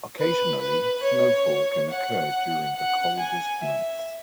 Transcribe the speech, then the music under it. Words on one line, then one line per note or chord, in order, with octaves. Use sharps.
Occasionally, snowfall can occur during the coldest months.
B4
B4
C#5
F#5
F#5
G#5
E5